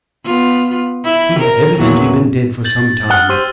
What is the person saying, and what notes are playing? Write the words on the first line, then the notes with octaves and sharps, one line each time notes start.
He had evidently been dead for some time.
B3 F4
E4
A#4
E2 A#2 F#3
G6 A6 F#7
F#5 D#6 F6 G7
G4 C5 E6 D#7